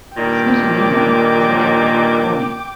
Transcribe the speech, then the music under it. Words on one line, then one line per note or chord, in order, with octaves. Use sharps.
Smetanina is an ethnic Komi.
G2 A#2 D#3 G5 D6